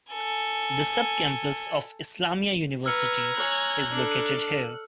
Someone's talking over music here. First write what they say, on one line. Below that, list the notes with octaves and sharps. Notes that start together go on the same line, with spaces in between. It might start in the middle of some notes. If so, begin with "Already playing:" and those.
The sub-campus of Islamia University is located here.
A4 G#5
B4 A#5 E6 F6 G#6 C#7
C#5 G#5 F#6
D4 A4